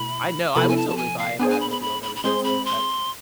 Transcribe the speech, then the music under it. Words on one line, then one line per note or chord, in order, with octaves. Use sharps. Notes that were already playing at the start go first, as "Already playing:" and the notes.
I know. I would totally buy a Batmobile that was used on set.
Already playing: B2 A3 E4 B5
C3 F3 B3 E4 A4 B5
G#5
A5
A5
G#5
F5
B3 D4 G#4 C5 G#5
G#5
B5
B5
B5
B5
B5
G#3 C4 G#4 C5 C6
B5
C6